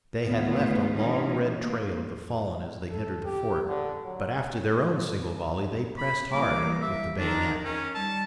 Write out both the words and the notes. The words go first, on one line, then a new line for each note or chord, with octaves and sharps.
They had left a long red trail of the fallen as they entered the fort, but after their own single volley they pressed hard with the bayonet.
D2 D#3 A3 B3 F4
E3 C#4 D#4
A#3
A4
G4
D3
F#3
B5
E3 G3 A#3 D6
E5
D#3 D4 D#4 A#4
C#4
G3 A5